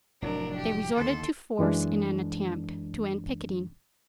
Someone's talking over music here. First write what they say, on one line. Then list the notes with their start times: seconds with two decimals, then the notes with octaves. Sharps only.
They resorted to force in an attempt to end picketing.
0.22 F1 A2 F#3 D4 A#4
0.56 G4
0.97 D#2 D3 A4 C6
1.59 F#2 E3 G#3 D4